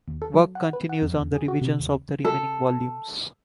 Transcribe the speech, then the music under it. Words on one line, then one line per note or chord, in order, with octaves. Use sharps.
Work continues on revisions of the remaining volumes.
D#2
A4
F#3
F#5
B4
F#5
F2
E2
G#4
F#4
C3
D#2
A4